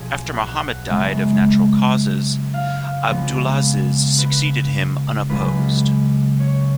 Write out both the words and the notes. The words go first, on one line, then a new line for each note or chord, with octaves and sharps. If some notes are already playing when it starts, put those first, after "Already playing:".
After Mohammed died of natural causes, Abdulaziz succeeded him unopposed.
Already playing: B1 F3 G#4
F#5
F#2 C#3 G#3 B3
F5
C#2 C#3 F3 B3
B4
C#2 C#3 F#3 B4
C#5